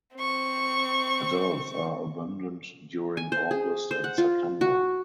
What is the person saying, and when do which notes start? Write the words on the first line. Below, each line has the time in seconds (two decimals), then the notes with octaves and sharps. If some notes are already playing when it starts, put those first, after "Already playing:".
Adults are abundant during August and September.
0.16 C4 C#6
3.17 G#5
3.32 C5
3.51 G#4
3.91 C5
4.04 F#5
4.18 F4
4.61 F#4